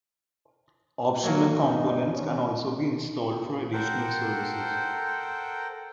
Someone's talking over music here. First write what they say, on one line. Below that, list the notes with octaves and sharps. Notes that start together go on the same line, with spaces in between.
Optional components can also be installed for additional services.
D#2 F#3 A#3
G2 B2 D4 D#4
C#4
A4 A#4 C5 F#5 G5